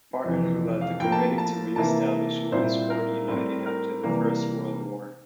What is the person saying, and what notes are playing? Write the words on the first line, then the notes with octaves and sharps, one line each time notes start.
Barton, who led the committee to re-establish Winsford United after the First World War.
F2 C3 E3
F5
A2 F3 A#3 G5
A5
A5
C3 E3 A#3 E4 A5
A#2 G3 C4 E4 C5
A#4
A2 G3 C4
A#4
C3 E3 G3 A#3